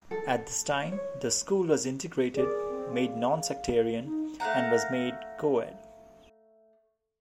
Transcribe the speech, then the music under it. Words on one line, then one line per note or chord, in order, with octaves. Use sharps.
At this time, the school was integrated, made non-sectarian, and was made co-ed.
A4
C#5
G#4 A#4 D5
C4
F5
D#4
A3 F5 F#5 A#5